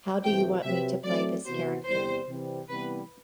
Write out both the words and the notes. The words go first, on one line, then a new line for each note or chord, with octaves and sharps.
How do you want me to play this character?
E2 B2 A3 C4 G4 G5
C3 F#3 C4 G4 B4 E5
F#3 A3 C4 D5
C3 E3 B3 F#4 C5
E2 C3 G3 B3 C5
C3 E3 G3 C4
C3 E3 G3 B3 E4 B4